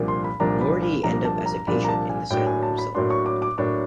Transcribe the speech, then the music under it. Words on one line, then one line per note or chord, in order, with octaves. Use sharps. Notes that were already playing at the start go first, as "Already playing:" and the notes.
Nor did he end up as a patient in the asylum himself.
Already playing: C2 A#2 F3 A#3 D4
C6
B5
C2 A#2 F3 A#3 D4 A#5
B5
B5
C2 A#2 F3 A#3 D4 A#5
A5
A#5
C2 A#2 F3 A#3 D4 B5
A#5
A5
G#5
A2 F#3 A#3 D4 G5
G#5
A5
B5
A2 F#3 A#3 D4 C6
C#6
D6
D6
A2 F#3 A#3 D4 C#6